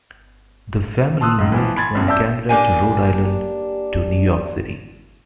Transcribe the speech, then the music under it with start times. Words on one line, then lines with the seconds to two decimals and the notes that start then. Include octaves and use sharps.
The family moved from Canada to Rhode Island to New York City.
1.21 A5 C6 D#6 E6 F#6
1.38 C#2 G#2
1.52 E3 F3
1.76 G#5 B5 C6 G#6 A6
1.95 A1 F#2 B2
2.07 D5 E5 A5 E6 G6
2.49 A#3 D4 G4 G#5